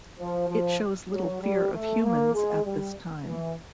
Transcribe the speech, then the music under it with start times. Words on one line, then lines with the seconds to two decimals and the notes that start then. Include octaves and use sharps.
It shows little fear of humans at this time.
0.19 F3
0.49 F3
1.11 F#3
1.41 G3
1.73 A3
2.03 A#3
2.34 G#3
2.64 G3
3.26 E3